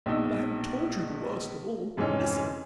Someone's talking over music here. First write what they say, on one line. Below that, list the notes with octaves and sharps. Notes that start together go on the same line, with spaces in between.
And I haven't told you the worst of all. Listen!
A#1 B2 D#4 E6
F2 G#2 C3 E3 C#4